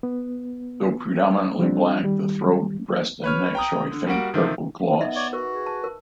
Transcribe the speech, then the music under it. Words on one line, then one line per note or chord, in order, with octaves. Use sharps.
Though predominantly black, the throat, breast and neck show a faint purple gloss.
B3
F3 G3 C4 D4
D#3 G3
B4 C#5 F6
G5 A#5 D#6
D3
G3 A#3 F#4 F#5 D7
C3 D#3 F3
B3 D#4 D#5 E5
C#5 D5
F#4 A#4 B4
G#4
A5
A#4